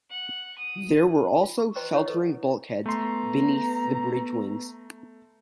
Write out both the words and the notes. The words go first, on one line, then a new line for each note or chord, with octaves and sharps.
There were also sheltering bulkheads beneath the bridge wings.
F#5
D#6
F4
C#6
B4 C5 D#5 G5 A#5 C6
E4 C#5 F#5 C#6
A4 B4 D#5
A3 B3 A#5 C6